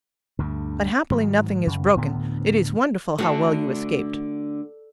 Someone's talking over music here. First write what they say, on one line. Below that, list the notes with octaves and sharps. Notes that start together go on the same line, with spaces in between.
"But happily nothing is broken. It is wonderful how well you escaped!"
D2 G2 D3
G#2 D#3 F#3
F#2 C#3
D2 A2 D3 B3
D3 A3 F#4 A4